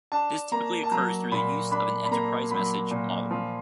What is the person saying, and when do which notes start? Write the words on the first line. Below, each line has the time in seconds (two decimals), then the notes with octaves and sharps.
This typically occurs through the use of an enterprise message model.
0.12 D4 A5
0.52 A#3 A#5
0.83 A5
0.91 F#3 A#5
1.31 A#2 B5
1.71 D4 B5
2.06 B5
2.11 A#3 A#5
2.51 F#3 B5
2.91 A#2
3.31 F3